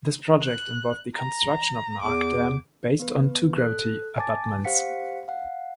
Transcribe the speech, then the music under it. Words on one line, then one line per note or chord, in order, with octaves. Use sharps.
This project involved the construction of an arch dam, based on two gravity abutments.
F#6
A#5
E2 D6
B3 B4
A4 F#6
G#5 A5 D6 A6
G4 C5 F5 F#5 B6 C#7
F5 F#5